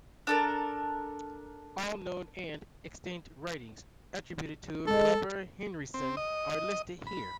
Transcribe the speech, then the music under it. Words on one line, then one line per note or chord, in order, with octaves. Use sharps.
All known and extant writings attributed to Robert Henryson are listed here.
D4 A4 A#4
G#3 A4
C4
D#5
B5